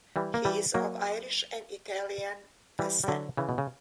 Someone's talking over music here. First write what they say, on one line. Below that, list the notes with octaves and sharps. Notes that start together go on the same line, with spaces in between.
He is of Irish and Italian descent.
E3 G3
A#3
E3 G3
F#3 A#3
E3 G3
G3
D3 F#3
C#3 E3
B2
C#3